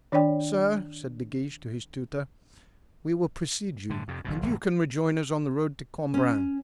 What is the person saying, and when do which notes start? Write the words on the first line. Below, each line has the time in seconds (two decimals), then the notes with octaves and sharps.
"Sir," said De Guiche to his tutor, "we will precede you, and you can rejoin us on the road to Cambrin."
0.12 D#3 D4 C#5 D5 G5
3.90 A2 D3
4.08 F2 C3
4.25 F#1 F#2 B2
4.42 F#1 A2 E3 F#3
6.14 C#4